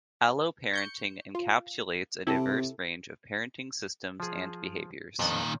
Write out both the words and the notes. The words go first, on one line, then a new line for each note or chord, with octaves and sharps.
Alloparenting encapsulates a diverse range of parenting systems and behaviours.
C#6 G6 C#7
F4
C3 E4 G4 A4
F3 G#4
F2 A#2 D#3 B3 D4